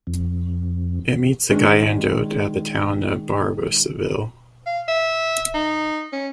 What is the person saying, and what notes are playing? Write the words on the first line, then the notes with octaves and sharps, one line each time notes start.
It meets the Guyandotte at the town of Barboursville.
F2
D#3 G#3 C#4 D4
F5
E5
D#4
C#4